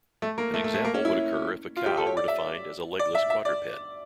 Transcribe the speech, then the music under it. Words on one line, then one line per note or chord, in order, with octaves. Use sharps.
An example would occur if a cow were defined as a legless quadruped.
A3
A#3
A3
A3
A3
A#3
C#4
E4
F4
G4
A4
C#5
D5
E5
D5
E5
E5
D5